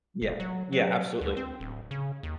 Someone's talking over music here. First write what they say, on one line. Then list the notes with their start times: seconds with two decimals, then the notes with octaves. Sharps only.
Yeah, yeah, absolutely.
0.22 E1
0.40 F#3
0.72 F#3
1.21 D2
1.37 C4
1.60 D1
1.91 C#3
2.23 D#2